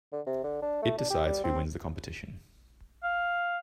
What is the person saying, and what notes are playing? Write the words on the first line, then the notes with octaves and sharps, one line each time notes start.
It decides who wins the competition.
D3
C3
D3
D4
A3
D4
G4
G3
C4
F5